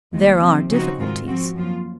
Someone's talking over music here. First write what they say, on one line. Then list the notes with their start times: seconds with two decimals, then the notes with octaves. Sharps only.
There are difficulties.
0.13 D#2 D#3 G#3
0.41 C3 F3 C4
0.70 C#3 F3 C4 D#4 F#4
0.98 G#2 D#3 G#3 C4 F4
1.27 F3 C4 F#4
1.55 F#2 F3 A#3 F4